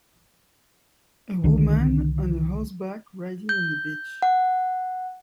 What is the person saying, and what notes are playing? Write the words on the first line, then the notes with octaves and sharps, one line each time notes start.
A woman on horseback, riding on the beach.
C2 D3 D#3 D4
G6
F#5